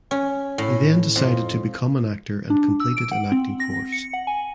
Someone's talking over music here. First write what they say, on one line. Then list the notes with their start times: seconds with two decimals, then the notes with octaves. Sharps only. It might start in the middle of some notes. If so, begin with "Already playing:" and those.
He then decided to become an actor and completed an acting course.
0.11 C#4
0.58 A2
1.16 F2
2.50 D4
2.80 E6
2.97 D7
3.11 F#5
3.32 C4
3.60 A#6
3.92 C#7
4.13 F#5
4.27 G#5